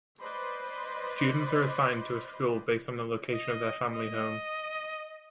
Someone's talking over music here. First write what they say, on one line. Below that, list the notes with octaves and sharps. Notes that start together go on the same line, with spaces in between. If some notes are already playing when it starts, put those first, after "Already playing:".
Students are assigned to a school based on the location of their family home.
B4 C5 D5 D#5 B5 C6
D#5
D#5